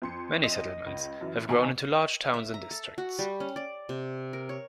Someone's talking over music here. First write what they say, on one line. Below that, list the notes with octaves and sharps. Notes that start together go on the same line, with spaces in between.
Many settlements have grown into large towns and districts.
F2 C6 C#7
D#5
C#2
F#2 E3
B2 D#3 G#5 A#5
E5
A#5
A4
F#4
G3
C#4
D5
C3
A#4
C#5